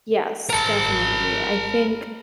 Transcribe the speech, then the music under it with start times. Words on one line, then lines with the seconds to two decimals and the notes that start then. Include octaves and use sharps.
Yes, definitely. I think
0.49 A#4 A5